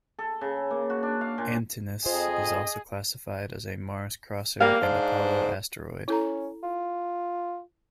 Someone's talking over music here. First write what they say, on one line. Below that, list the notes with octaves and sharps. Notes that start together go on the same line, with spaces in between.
"Antinous" is also classified as a Mars-crosser and Apollo asteroid.
A4
C#3
A#3
F#4
D4
F5
A#2
F2 F4 G#4 C5 D#5
G3 A#3 F5
G#2 D4 C5
C#4 E4 A4 A#5
F4